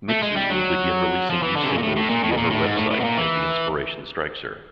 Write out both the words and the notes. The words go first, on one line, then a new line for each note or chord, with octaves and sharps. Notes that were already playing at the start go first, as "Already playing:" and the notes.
Mitsou will begin releasing new singles via her website as the inspiration strikes her.
A3
G#3
G3
F#3
F3
E3
D3
C3
C#3
A#2
A2
A2
A#2
A2
B2
A#2
A2
G#2
A2
A2
B2
A#2
E3